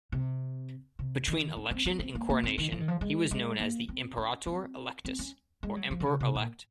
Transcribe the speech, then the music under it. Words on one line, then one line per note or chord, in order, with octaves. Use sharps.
Between election and coronation, he was known as the "imperator electus", or Emperor-elect.
C3
C3
D#3
C#4
C4
C4
C4
A#3
A#3
C4
D#3
F3
D#3
F3
G#3
G#3
A#3
C4
C#4
C4
C4
C#4
G#3
F#3
F3
D#3
C#3
C3
A#2